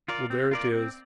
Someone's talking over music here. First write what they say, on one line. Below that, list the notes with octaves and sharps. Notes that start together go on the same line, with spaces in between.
Well, there it is.
F4 A#4 D5
C4
F4 A#4 D5
C4